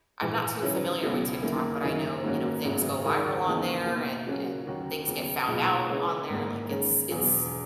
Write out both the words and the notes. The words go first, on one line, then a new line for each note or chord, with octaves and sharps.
I'm not too familiar with TikTok, but I know, you know, things go viral on there and and things get found out on there. Like, it's it's
A#1 G#2 E3
D#3 F#3 C#4 E4 B4
C#2 B2 F#3 B3 E4
F#2 D#3 A#3 E4
F#2 D#3 A#3 D#4
G#2 D#3 A#3 C#4 F#4
G#1 F#2 C#3 F#3 B3
D#2 D#3 G#3 D#4 A#4
E2 C#3 E3 A#3 D#4
B2 A#3 D#4 A#4
C#3 F#3 A#3 C#4 F#4
D#2 D#3 F#3 C#4 F#4
D#2 C#3 F#3 B3
B1 A#2 G#3 B3 D#4
C#3 G#3 C#4 E4 B4
G#1 G#2 D#3 A#3
D#3 G#3 C#4
E1 E2 B2 F#3